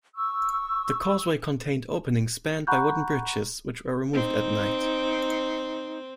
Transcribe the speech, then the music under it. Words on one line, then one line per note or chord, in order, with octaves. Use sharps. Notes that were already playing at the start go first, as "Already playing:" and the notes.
The causeway contained openings spanned by wooden bridges, which were removed at night.
C#6 E6
F#5 A#5 B5 C#6 F#6 G6
C4 D#4